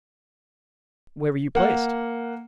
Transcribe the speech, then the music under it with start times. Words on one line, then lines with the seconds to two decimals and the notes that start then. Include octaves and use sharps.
"Where were you placed?"
1.55 A#3 F#5